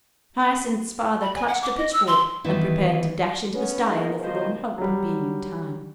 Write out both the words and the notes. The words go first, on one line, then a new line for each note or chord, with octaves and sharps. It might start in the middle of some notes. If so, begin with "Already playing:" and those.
Hyacinth's father clutched a pitchfork and prepared to dash into the stye in the forlorn hope of being in time.
B5
G#5
F#5
D6
D#5
E6
C6
D#3 E3 B3
B3 C#4
A#3 B3 D#4 G#4 A#4
B2 D#3 F3 D#4 C5 D#5
F#3 G3